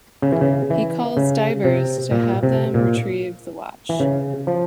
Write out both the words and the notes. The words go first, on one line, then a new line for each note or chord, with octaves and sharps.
He calls divers to have them retrieve the watch.
C#3
E3
C#3
E3
C#3
C3
A#2
C3
A#2
E3
C#3
F3